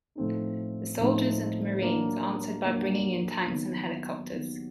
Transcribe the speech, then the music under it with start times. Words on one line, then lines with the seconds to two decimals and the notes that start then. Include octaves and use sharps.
The Soldiers and Marines answered by bringing in tanks and helicopters.
0.15 A2 F3 A3 C4 D#4
0.99 A2 F3 A3 C4 D#4
1.82 F#3 A#3 D4
2.65 F#3 A#3 D4
3.49 D#3 F#3 B3
4.32 D#3 F#3 B3